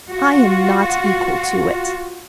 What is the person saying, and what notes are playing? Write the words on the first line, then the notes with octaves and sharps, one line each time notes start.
I am not equal to it.
F4 F#4